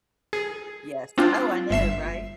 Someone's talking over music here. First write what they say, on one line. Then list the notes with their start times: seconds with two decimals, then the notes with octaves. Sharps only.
Yes. Oh, I know. Right?
0.33 G#4
1.18 C4 D4 F4
1.71 G1 E5 C7 E7